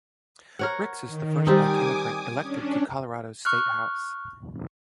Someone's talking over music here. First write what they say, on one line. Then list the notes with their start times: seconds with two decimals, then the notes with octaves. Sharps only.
Ricks is the first Black immigrant elected to Colorado’s Statehouse.
0.59 A#4 C#5 F#5
1.07 D#3
1.47 G3 C4 D#4 G#5 D6 D#6
2.42 C#4 D4
3.45 C#6 F6 F#6